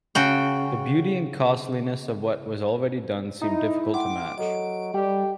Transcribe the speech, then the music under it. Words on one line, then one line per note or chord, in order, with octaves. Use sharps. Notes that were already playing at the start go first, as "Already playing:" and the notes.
The beauty and costliness of what was already done seemed difficult to match.
C#3 F#4 G5
D#4 E4
F#5 G5 C6 D6
F#3 A4 D#5 D7
G3 G4